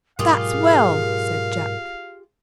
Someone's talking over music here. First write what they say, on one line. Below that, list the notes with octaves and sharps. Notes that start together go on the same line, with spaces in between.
"That's well," said Jack.
G#2 B2 F#3 F4 G4 G#4 A#4 F5